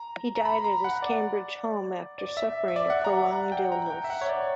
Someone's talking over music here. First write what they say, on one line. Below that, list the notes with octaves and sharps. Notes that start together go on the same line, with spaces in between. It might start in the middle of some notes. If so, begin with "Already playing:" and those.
He died at his Cambridge home after suffering a prolonged illness.
Already playing: A#5
A#5
B5
A#5
F#5
D5
D5
E5
E5
D5
F#5
A#5
F#5
F#5
G5
A#5
G5
E5
F#5
C#5
D5